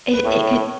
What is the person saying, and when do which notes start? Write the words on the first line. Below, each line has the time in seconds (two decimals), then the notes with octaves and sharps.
It it could
0.14 B4
0.24 A2 C#5